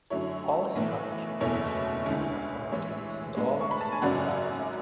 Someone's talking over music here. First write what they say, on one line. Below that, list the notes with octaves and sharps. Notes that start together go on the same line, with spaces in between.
All Scottish and Welsh unitary authorities had all their seats elected.
F#2 D3 F#3 A3 E4 C#5
B1 A2 E3 A3
F#1 E2 B2 A3 E4 C#5 E5
D2 D3 G#3 C#4 E4
A1 A2 E3 G#3 C#5 E5
A2 G#3 B3 D4
C#6
B5
A5
G#5
G#1 F#2 C#3 F#3 C#4 D5 F#5